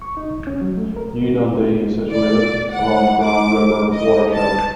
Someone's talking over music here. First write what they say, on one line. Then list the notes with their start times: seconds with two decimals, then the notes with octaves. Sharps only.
New Dundee is situated along the Grand River watershed.
0.02 C#6
0.17 D#4
0.31 C2
0.47 C#4
0.61 F#3
0.77 A3
0.96 A#4
2.12 D5
2.71 F#5
3.23 D6
3.93 D#5
4.33 A5